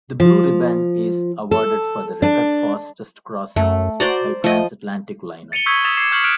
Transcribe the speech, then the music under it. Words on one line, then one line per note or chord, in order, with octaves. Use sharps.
The Blue Riband is awarded for the record fastest crossing by transatlantic liner.
F3
A4
D4
F#2 A3
F#4 C5 D5 A#5
F3 A3 D#5
A6 C#7 D#7 F7 G7
C#6 D#6 E6 G6 G#6 B6
D#6 E6 A6 B6 E7 F7
D6 G#6 C7 E7
C#6 F6 G6 C7 E7 F#7
F6 F#6 D7 F7